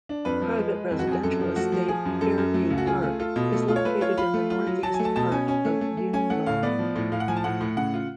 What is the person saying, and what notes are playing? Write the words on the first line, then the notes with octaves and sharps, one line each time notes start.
Private residential estate Fairview Park is located in the northeast part of Yuen Long.
D4
F2 B4
F3
G#3
G#3
F2
F#4
F2 G#4
F#2 A4
F3
A3 F#4
F3
F3 G#4
F#2
F#2 A4
F#2
A3
C#2
F#4
F4 G#4
A3
F4 A4
B2
A3
F4
C#5
A3 B4
F4 C#5
F4 B5
A3
F4
F#3
F#3 A5
G#5
A3
A5
B2 A5
C#4 G#5
C#4 G#5
A3
A3
A3
C#4 G#5
A3 F#5
A2 F5
B3 D5
F3
A2
A2 F5
F#5
F3 G#5
A5
A2 F#5
A2
C#3 F#5
F4